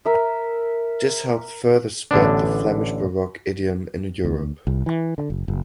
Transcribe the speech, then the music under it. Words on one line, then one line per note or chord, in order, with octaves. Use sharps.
This helped further spread the Flemish Baroque idiom in Europe.
A#4 E5
A1 D3 B3 D4
D2
C2
E3
D3
F#1
F#1